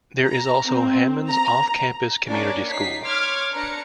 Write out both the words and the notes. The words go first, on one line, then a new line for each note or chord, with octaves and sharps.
There is also Hammons off-campus community school.
A#5
C4
A#5
A#3 C#4 D4 C#5 D5 A#5
D#4 B6 C7
C#5 C6 D6 F6 G#6
D4 B4 A#5 C#7